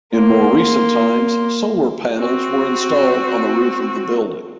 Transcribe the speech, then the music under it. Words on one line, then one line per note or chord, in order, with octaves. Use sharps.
In more recent times solar panels were installed on the roof of the building.
A#3 C6
C4 F#4